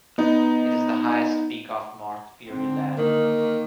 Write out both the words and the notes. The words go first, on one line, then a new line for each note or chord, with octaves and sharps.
It is the highest peak of North Peary Land.
B3 D#4
D3 C4
D#3 A#3